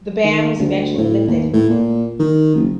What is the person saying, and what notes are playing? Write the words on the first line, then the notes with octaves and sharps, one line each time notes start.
The ban was eventually lifted.
D#3
D2
A2
D#2
A2
A#2
D#3
F#1